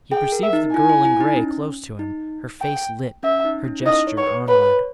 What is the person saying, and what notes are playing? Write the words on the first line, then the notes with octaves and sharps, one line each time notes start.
He perceived the girl in grey close to him, her face lit, her gesture onward.
G#4 G5
A#4
E5
D#4
E4 G#5
E4
E4
D#4
C#4
D#4
G5
C#4 E5
D#4
C#4
E4
D#4 D#5
C#5
C#5
B4
B4 C#5